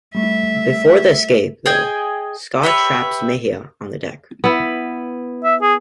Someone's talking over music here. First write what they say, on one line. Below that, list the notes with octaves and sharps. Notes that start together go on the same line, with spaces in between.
Before the escape, though, Scott traps Mahia on deck.
G3 A3 E5
G#4 D#5 G5 G#5
G4 B4 C#5 E5
B3 E4
E5
G#4